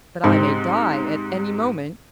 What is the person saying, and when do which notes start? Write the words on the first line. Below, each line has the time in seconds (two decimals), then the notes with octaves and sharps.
"But I may die at any moment."
0.24 G#2 C3 C4